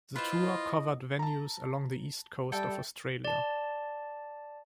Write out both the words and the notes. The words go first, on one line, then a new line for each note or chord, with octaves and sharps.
The tour covered venues along the east coast of Australia.
E4 F4 B4 C5 D#5
A5 A#5
G3 A4 E5 G5
D5 A5